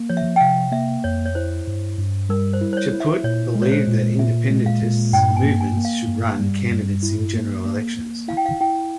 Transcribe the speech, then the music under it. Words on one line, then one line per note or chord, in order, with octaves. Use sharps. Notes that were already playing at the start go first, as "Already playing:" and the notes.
Chaput believed that independentist movement should run candidates in general elections.
Already playing: A#3
F3 C#5
E5
G5
C3 F5
A#3 E5
F2 C#5
C#5
E4 C5
G2
G2
G3 A#4
C5
E4
C5
C#5
E4
E5
A#2 C#5
G#3
C#5
C5
A#2
A#2 E5
G#3
F5
A#2
G2 G5
G#5
A#3
G#5
A#3
F5
G2
G3
G2
E4
A#3
A#3
A#3
E4 F5
G5
F5
E4 G5